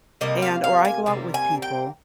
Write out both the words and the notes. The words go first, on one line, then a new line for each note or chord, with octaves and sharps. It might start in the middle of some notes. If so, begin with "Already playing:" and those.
and or I go out with people
C3 G3 A#3 D#5
F5
F5
G#5
C3 G3 A#3
G#5
G5